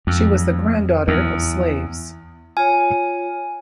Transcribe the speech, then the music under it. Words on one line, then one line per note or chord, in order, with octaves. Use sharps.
She was the granddaughter of slaves.
F2
E2
F4 C#5 G#5